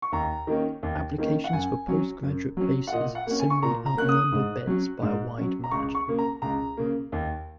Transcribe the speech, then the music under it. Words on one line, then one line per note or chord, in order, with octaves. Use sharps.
Applications for postgraduate places similarly outnumber beds by a wide margin.
C#6
D#2 A#5
D#3 A#3 C#4
D#2
D#3 A#3 C#4
F#5
F#2 G#5
F#3 C#4
F#2
F#3 C#4
F#5
A#2 D#5
F#5
A#3 C#4
G#5
C#6
A#2 A#5
A#5
A#3 C#4 F#6
D#6
G#2
F#3 C#4
G#2
F#3 C#4
A#5
C#2 C#6
C#6
C#3 A#3
A#5
C#2 A#5
C#3 A#3
D#2